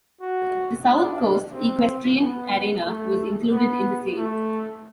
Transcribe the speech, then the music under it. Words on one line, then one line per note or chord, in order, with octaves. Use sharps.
The South Coast Equestrian Arena was included in the sale.
F#4
D4
C4
B3
A3
B3
A3